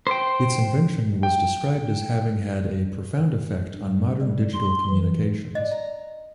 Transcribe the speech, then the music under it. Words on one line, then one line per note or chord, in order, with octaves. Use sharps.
Its invention was described as having had "a profound effect on modern digital communications".
C5 G5
G5
G2
G3
C6
E3
D4 D#5
A#5